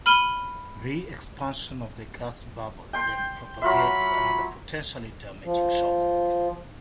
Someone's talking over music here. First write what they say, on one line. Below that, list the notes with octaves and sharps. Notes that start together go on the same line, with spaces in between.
Re-expansion of the gas bubble then propagates another potentially damaging shock wave.
B5 F6 D#7 G7
G5 C6
F#3 F4 E5 B5
F3